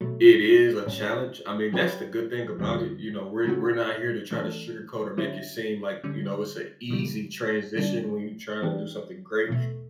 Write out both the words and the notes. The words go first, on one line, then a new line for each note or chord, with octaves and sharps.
it is a challenge, I mean, that's the good thing about it, you know, we're we're not here to try to sugarcoat or make it seem like, you know, it's a easy transition when you try to do something great,
B2 F#3 A3
A2 G3 C#4
F#3 C#4 G4 B4
E2 D3 G3 B3
C#3 F#3 A3 C#4 F#4
E3 A3 D4 A4
D3 F#3 C#4 E4
D3 G3 C#4
C#3 E3 G3
D3 G3 D4
E3 B3 D4 G4
E2 B2 A3